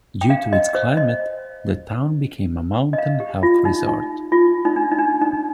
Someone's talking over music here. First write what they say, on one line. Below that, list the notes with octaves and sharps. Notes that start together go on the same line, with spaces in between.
Due to its climate the town became a mountain health resort.
G5
F5
D#5
C5
D#5
D#5
F5
G4
F4
D#4
D#4
F4
D#4
D4
D#4
D4
D#4